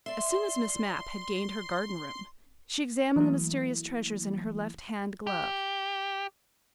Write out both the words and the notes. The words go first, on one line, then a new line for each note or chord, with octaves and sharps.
As soon as Miss Mapp had gained her garden-room, she examined the mysterious treasures in her left-hand glove.
D5 E5 C6
E3 F#3 A3 A#3 E4
G4